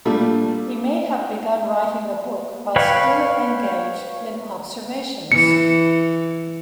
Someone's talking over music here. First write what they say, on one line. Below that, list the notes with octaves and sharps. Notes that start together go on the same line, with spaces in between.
He may have begun writing the book while still engaged in observations.
A#2 G3 A3 D4
B4 C#5 F5 G5 B5
E3 C#7